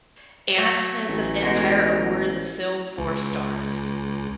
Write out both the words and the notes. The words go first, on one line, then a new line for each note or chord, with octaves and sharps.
Anna Smith of "Empire" awarded the film four stars.
F#3 A3
A1
B2 G#3 D#4
C#2